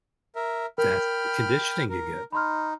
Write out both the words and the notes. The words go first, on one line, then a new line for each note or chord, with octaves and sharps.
that's the conditioning you get.
A#4 E5
A#4 G5 B5 F6
A#4
D#4 B5 C6 F6